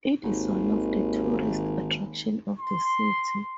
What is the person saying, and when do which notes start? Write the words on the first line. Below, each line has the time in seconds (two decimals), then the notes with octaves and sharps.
It is one of the tourist attraction of the city.
0.23 G#1 D#2
2.60 C6